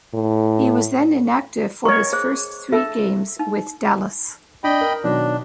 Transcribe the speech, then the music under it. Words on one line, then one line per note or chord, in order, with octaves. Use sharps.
He was then inactive for his first three games with Dallas.
A2
A#4 C#5 D#5 C#6
G#4 C5
A4 E5
D#4
D4 D#5 G5 B5
A#4
B2 D#3 F#3 D4